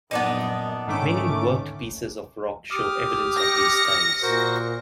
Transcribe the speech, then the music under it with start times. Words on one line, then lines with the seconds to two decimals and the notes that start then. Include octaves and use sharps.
Many worked pieces of rock show evidence of these times.
0.11 A#1 F#2 B3 D4 D#4
0.87 G#2 D3 D#3 A3 C#4 D6
2.71 G4 D6 D#6 F6
3.36 A#6 C#7
4.22 A#2 F#4 A#4 C5